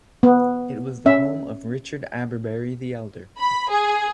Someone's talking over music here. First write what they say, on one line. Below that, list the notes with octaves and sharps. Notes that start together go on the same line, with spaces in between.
It was the home of Richard Abberbury the Elder.
B3
C#4 E5
B5
G#4